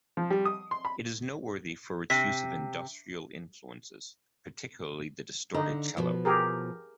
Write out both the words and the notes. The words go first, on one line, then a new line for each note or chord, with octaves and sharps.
It is noteworthy for its use of industrial influences, particularly the distorted cello.
F3
G3
D#6
C6
B5
C3 B6
D3 D#4
B2 F3
G4 G#4 A#4